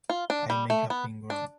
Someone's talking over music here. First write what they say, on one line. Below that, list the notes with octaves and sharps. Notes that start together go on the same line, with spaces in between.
I may have been wrong.
F4
D4
G3
A3
B3
D4